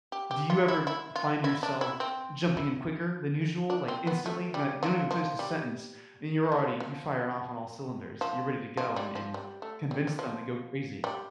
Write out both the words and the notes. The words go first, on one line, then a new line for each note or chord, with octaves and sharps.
do you ever find yourself jumping in quicker than usual, like, instantly? Not they don't even finish the sentence, and you're already you fire off on all cylinders, you're ready to go and and convince them they go crazy.
G4
G4
F4
E4
E4
F4
E4
D4
E4
C4
E4
D4
C4
B3
A3
G3
F3
F3
G3
A3
F3
F3
F3
G3
F3
G3
A3
G3
G3
F3
G3